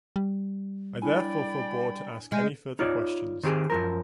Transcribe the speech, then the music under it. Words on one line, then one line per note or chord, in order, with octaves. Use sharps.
I therefore forbore to ask any further questions.
G3
D4 E4 D5 G5 G#5 B5
G#3 F6 G6 D#7
D#4 F4 C#5 D5
D#3 C4 G4 G#4
F#2 F3 A#4